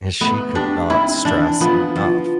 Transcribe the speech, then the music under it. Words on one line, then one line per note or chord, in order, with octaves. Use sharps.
and she could not stress enough,
A3 B3
D4 G4
C4 E4
E3 D4
F3 B3
F3